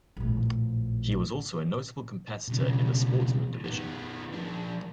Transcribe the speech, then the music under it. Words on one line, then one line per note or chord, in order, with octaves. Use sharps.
He was also a notable competitor in the Sportsman Division.
A#1 A2
B1 C#3
D#3 B3
F3 D4